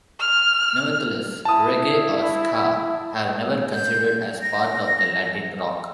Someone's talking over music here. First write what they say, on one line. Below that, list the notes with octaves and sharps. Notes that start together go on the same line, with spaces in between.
Nevertheless, Reggae or Ska have never considered as part of the Latin Rock.
F6
E4 A5 D#6
G6
A#6